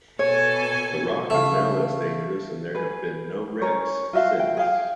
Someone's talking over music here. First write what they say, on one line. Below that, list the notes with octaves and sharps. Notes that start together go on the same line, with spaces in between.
The rock is now less dangerous and there have been no wrecks since.
B2 A4 C#5 G#5
C#3 A3 E5 F5
G#4 B4
C#4 G#4 A#4 C#5
F4 F#4 E5 F5
G5
G#4 F5 G5